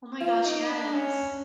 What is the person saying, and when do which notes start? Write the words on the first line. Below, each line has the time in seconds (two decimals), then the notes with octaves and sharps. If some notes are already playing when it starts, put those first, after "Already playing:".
Oh my gosh, yes.
0.20 F4
0.45 D#4
0.70 D4
0.94 C#4